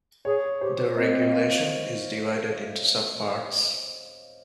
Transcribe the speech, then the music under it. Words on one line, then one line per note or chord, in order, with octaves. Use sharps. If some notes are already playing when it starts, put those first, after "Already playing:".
The regulation is divided into subparts.
G#4 C#5
G4 C5
C4 D#5
D#5
F5